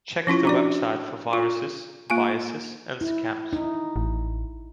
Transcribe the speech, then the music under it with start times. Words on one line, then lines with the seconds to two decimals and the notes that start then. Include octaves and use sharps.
Check the website for viruses, biases and scams.
0.27 F3 C#4 E4 F4
0.45 D4 F#4 D5
1.33 F4
2.10 A#3 F4 G#5
3.01 E4
3.53 D#4 E4
3.96 A1